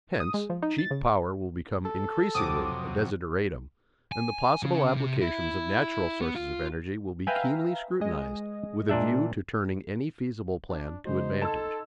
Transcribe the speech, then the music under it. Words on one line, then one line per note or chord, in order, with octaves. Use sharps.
Hence cheap power will become increasingly a desideratum, and the possible applications of natural sources of energy will be keenly scrutinised with a view to turning any feasible plan to advantage.
D#6
G#3
F3
D#4
A6
C#3
A4
F2 C3 F#3 D6 D#6
G#5
C#3
C3
E4
B3
F4
B4 E5 F5 G5 G#5 A#5
G#3 G#4 D#5
A#2 D4 E5
D4
C#3 G#3 D#4 F#4 C5
A4 A5 C6 E6 G#6